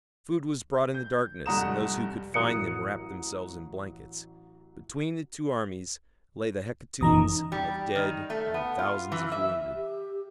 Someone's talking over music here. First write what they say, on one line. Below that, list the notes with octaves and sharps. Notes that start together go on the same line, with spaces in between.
Food was brought in the darkness, and those who could find them wrapped themselves in blankets. Between the two armies lay the hecatombs of dead and the thousands of wounded.
G6
F1 G2 F#5 A#5 D#6 E7
A1 F#3 A#4 D#6 F#6 C#7
F#1 F#2 E3 D#4 A#5 D#6
G3
D#3
A3
B3
F4
E3
E5
G4